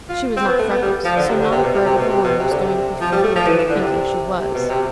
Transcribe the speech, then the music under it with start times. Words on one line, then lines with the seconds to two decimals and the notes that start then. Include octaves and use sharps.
She was not Freckles, so not a bird of the line was going to be fooled into thinking she was.
0.09 F4
0.36 C4
0.47 B3
0.59 A3
0.70 B3
0.82 G3
1.05 F3
1.16 D3
1.28 C3
1.40 D3
1.51 C3
1.63 B2
1.74 C3
1.86 C3
1.97 B2
2.09 C3
2.24 B2
2.39 C3
2.52 D3
2.63 C3
3.01 F3
3.12 G3
3.24 A3
3.36 F3
3.47 E3
3.58 E3
3.70 D3
3.81 C3
4.39 C3
4.54 B2
4.70 C3